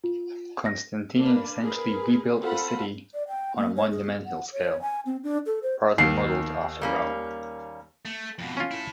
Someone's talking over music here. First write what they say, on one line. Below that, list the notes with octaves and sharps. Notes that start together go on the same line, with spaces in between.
Constantine essentially rebuilt the city on a monumental scale, partly modelled after Rome.
F4
A#6
A#3 D4 B4
G#4 A#4 B4
C4 F4 A4 F#5 B5
D5
G5
A#3
C#5
G#4
F#5
C#5
G#5
C4
D4
A4
C5
D#2 D#3 C7
G3 A#3 C#4
A3
F2 B2
C#4 F4
E4 A4